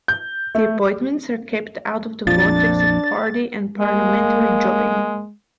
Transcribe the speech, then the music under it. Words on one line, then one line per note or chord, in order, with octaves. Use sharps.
The appointments are kept out of the vortex of party and parliamentary jobbing.
G6
A3
A#1 F2 F3 D4 A6
G#3 A#3